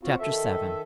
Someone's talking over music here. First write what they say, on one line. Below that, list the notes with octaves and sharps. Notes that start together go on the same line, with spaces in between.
Chapter VII.
F#3 C4 F4 F#4
D#3 A4 E5